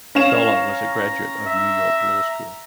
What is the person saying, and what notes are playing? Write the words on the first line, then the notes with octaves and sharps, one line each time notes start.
Scholer was a graduate of New York Law School.
C#4 F5 A#5 E7
E5